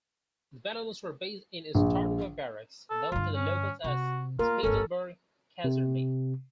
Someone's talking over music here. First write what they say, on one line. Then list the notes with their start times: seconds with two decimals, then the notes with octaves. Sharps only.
The battalions were based in Stornoway Barracks, known to the locals as Spiegelberg Kaserne.
1.75 A#1
2.90 A4
3.12 G2 D3 F4
3.35 C#4
3.84 C3 F#4
4.39 A#3 F4 A#4
4.63 D1 G1 C#4 A4
5.64 C3